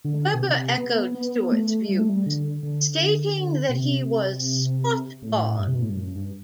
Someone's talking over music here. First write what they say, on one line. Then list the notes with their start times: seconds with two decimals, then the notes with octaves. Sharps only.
Webber echoed Stewart's views, stating that he was "spot on".
0.05 D3
0.34 B2
0.41 C3
0.78 B3
1.15 B3
1.52 A3
1.89 G3
1.99 A3
2.09 G3
2.26 D3
2.63 D3
3.69 B2
3.74 C3
5.22 A2
5.59 G2
5.68 C3
5.75 B2
5.82 A2
5.89 G2
5.96 F#2
6.15 G2